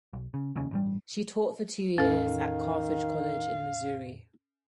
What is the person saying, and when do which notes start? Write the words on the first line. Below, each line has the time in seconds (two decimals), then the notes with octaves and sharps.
She taught for two years at Carthage College in Missouri.
0.13 B1
0.34 C#3
0.56 F1 D#2 C#3 C#4
0.71 A1 G2 G3
1.98 E2 A2 D#3 C#4 A4 F5